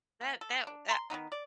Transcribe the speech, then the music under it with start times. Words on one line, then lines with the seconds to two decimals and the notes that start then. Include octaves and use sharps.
That that that
0.21 A#3
0.41 A4
0.67 D4
0.89 A#5 C6
1.10 D#3 F3 B3 D#4
1.32 D5